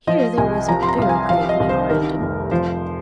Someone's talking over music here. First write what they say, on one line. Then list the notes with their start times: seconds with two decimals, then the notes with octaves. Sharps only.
Here there was a very grave memorandum.
0.07 F3 D#5
0.38 C2 G#5
0.68 F3 A#5
0.83 C6
0.88 A#5
0.98 C2 F5
1.09 G#5
1.29 F3 F5
1.49 D#5
1.60 C2
1.69 C5
1.90 D#3 A#4
2.21 F1
2.51 F3 C5